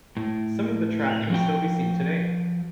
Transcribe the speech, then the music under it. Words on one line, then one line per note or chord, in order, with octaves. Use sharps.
Some of the track can still be seen today.
A2
F3 F#4 G5